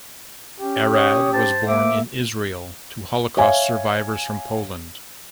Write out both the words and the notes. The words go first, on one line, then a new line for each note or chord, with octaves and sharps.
Arad was born in Israel, to Holocaust survivors from Poland.
C#4 G4
C#5 D#6
C5 A5
A#3 E5 D6
C#5 E5 F5 G#5